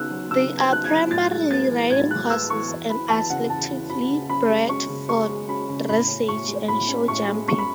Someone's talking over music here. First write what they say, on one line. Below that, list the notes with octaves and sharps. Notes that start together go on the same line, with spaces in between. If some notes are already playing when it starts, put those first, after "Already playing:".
They are primarily riding horses, and are selectively bred for dressage and show jumping.
Already playing: C#3 B3 D#4 E6 F#6
F#3
C#3 E6
B3
G#6
D#4 F#6
G#6
F#3
A2 A6
G#3
B3 A6
E3
A2 G#6
G#3 F#6
F#6
B3 E6
E3 C#6
E2
E3 B5
E2 A5
C#3 F#5
E2 A5
E3
E2 B5
C#3
F#2 B5
G#3
C#4 C#6
C#3
F#2 C#6
G#3
C#4 B5
C#3
A2 B5
C#4
A2 C#6
G#3
A2 B5
C#4
A2 C#6
G#3
F#2 C#6
B5